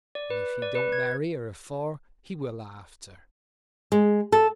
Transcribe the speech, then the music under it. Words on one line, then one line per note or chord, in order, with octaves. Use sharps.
And if he don't marry her afore he will after.
D5
B4
D5
B4
G#6
G#3
A4